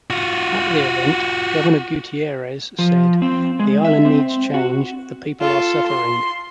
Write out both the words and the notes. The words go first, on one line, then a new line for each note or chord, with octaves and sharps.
At the event, Governor Gutierrez said, The island needs change; the people are suffering.
F4 F#4
F3
C4
G#3
E5
C4
F#4
F4 A4
C6